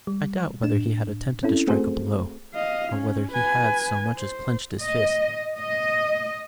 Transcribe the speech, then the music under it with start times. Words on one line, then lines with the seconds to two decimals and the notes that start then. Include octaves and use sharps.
I doubt whether he had attempted to strike a blow, or whether he had so much as clenched his fist.
0.07 G3
0.63 A2 D4 E7
1.43 C4 C#4 E4 A4
1.67 A3 C4 F#4 G#4 A4 C5
2.54 D#5 F5
2.93 C#4
3.32 B4 G#5
4.17 C5
4.82 D#5
5.58 D#5